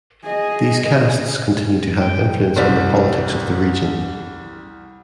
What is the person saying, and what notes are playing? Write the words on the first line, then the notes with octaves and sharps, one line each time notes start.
These castes continue to have influence on the politics of the region.
G#4 D#5
G5
C2 G3